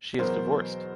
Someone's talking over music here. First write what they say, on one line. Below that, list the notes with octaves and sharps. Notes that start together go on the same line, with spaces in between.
She is divorced.
E2 B2 F#3 A#4 C5